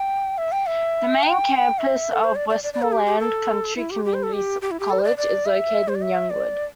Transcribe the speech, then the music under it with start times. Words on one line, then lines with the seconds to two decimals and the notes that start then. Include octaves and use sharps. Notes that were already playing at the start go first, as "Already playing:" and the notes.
The Main Campus of Westmoreland County Community College is located in Youngwood.
Already playing: G5
0.38 E5
0.52 G5
0.67 E5
1.23 G5
1.79 E5
2.13 A4
2.24 C5
2.36 D5
2.49 D5
2.63 D5
2.73 D5
2.82 A4
2.92 G4
3.06 G4
3.20 A4
3.76 E4
3.91 G4
4.05 G4
4.14 C5
4.23 A4
4.33 G4
4.62 G4
4.71 E4
4.80 G4
4.90 A4
4.99 C5
5.04 D5
5.17 D5
5.46 E5
5.88 C5
5.95 D5
6.02 E5
6.30 D5